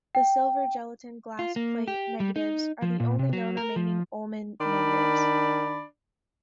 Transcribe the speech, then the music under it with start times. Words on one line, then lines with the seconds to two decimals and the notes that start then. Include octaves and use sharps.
The silver gelatin glass plate negatives are the only known remaining Ulmann negatives.
0.15 G5
1.39 F4
1.56 A#3
1.88 G4
2.20 G3
2.36 D#4
2.82 F3
3.00 A#2
3.19 C3
3.33 F#3
3.57 A#4
3.76 F3
4.59 D#3 D4 D5 B5